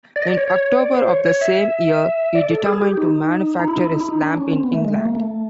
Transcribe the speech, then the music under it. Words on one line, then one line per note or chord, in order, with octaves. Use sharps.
In October of the same year, he determined to manufacture his lamp, in England.
D5
D#5
D5
C#5
C#5
D5
C5
C#5
C#5
E5
D5
A4
G#4
G4
D#4
D#4
E4
D#4
E4
D#4
E4
D#4
D4
C#4
C4
B3
A3
G#3
A3
A#3
A3